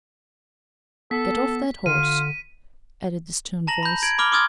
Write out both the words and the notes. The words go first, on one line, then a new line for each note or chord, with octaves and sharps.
"Get off that horse," added the stern voice.
B3 A4 B6
D3 F4 D#7
A5 A#5 A#6 F#7
B5 G6
G#6 D7 F#7
B5 D6 F6 G7
C6 D6 D#6 F6 G#6 A6